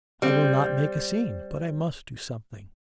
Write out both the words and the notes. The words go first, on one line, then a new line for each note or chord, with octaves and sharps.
'I will not make a scene, but I must do something....
G3 C4